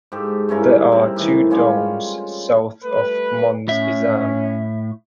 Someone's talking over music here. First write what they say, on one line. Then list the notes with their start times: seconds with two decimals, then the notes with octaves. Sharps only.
There are two domes south of Mons Esam.
0.12 G#2 G4 A4
0.49 G2 C#4 E4 A#4
0.92 C4
1.16 A2 D#3 E3
1.50 G3 G#3 C#4 F4
2.82 G3 A3 B4
3.68 A2 C#4 E5